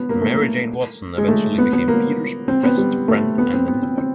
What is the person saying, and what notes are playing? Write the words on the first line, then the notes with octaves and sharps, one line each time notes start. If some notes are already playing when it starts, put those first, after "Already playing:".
Mary Jane Watson eventually became Peter's best friend and then his wife.
Already playing: B3
A#3
A3
A#3
G#3
A3
B3
B3
A#3
C4
B3
G3
A3
B3
C4
B3
C4
C4